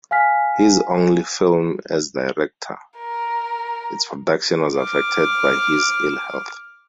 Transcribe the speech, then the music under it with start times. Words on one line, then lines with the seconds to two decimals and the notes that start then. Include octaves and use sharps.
His only film as director, its production was affected by his ill health.
0.11 F5 G#5 F6 B6
2.99 A#4
4.77 D6 F6